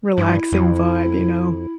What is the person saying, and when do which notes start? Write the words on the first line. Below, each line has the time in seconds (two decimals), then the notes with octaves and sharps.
relaxing vibe, you know,
0.18 G2 E4
0.52 F2